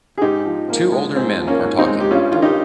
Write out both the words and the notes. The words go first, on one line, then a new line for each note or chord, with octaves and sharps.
Two older men are talking.
G#4
G#2 D#4 G4
F3
G#2 A#3
G#3
G#2 C4
F3
A#3 C#4
G#2
C4 D#4
G#3
G4
G2 C#4 F4
D#3 F4
D#4 G4